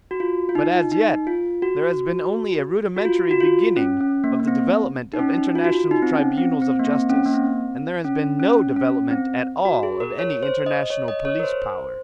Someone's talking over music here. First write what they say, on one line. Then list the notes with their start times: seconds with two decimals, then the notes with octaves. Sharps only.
But as yet there has been only a rudimentary beginning of the development of international tribunals of justice, and there has been no development at all of any international police power.
0.11 F#4
0.20 F4
0.49 F4
0.55 D#4
0.92 D#4
1.27 F4
1.62 F#4
2.97 F#4
3.05 F4
3.31 F#4
3.40 F4
3.76 C#4
4.01 C#4
4.24 A#3
4.40 A#3
4.48 C4
5.13 D#4
5.19 C#4
5.38 D#4
5.55 F4
5.65 F#4
5.73 F4
5.91 D#4
6.02 C4
6.14 C#4
6.37 C4
6.62 C4
6.79 A#3
6.85 C4
7.09 C#4
7.26 A#3
7.34 C4
8.05 C#4
8.40 C#4
8.76 C#4
9.11 C4
9.65 F#4
9.83 G#4
10.00 A#4
10.19 C#5
10.43 C5
10.66 D#5
10.90 C#5
11.08 D#5
11.25 C#5
11.39 A#4
11.43 C5